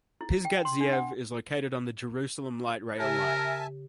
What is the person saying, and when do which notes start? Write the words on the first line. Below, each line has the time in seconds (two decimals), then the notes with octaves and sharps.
Pisgat Ze'ev is located on the Jerusalem Light Rail line.
0.21 E4
0.45 G5
0.65 C6
0.81 D4
0.93 F#5
2.99 C#3 G4 A#4 E5 G#5 A5